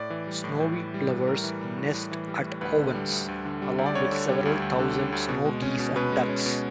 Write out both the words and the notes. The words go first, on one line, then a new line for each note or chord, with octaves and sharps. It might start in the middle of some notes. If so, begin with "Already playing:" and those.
Snowy plovers nest at Owens along with several thousand snow geese and ducks.
Already playing: A2 D5
E3
G3
A2
A2
E3
G3
A2
A2 A#4
E3
G3
A2
A2
E3
G3
A2
D2 B4
D3
G3
D2
D2
D3
G3
D2
D5
D2 C#5
D3
G3
D2
D2
D3
G3
D2
B2
G#3
C#4
B2
B2 B4
G#3
C#4
B2